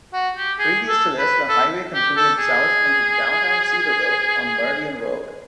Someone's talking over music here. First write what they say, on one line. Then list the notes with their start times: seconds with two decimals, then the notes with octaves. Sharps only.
Previous to this, the highway continued south into downtown Cedarville on Merdian Road.
0.13 F#4
0.36 G4
0.59 G#4
0.89 A4
1.18 B4
1.49 A4
1.94 G4
2.17 A4
2.38 G#4